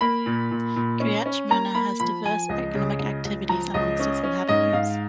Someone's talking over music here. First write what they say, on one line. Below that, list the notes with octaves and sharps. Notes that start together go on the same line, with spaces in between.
Kiryat Shmona has diverse economic activities among its inhabitants.
A#3 B5
A#2
A#2
A#2
C#4
C#4
A#3 A#5
A#3 B5
F3 B5
F3 G#5
C#2 D#5
C#3
C#2
C#2
F3 A#5
C#2 D#5
C#4
C#4
G#2 D#5
G#2 F5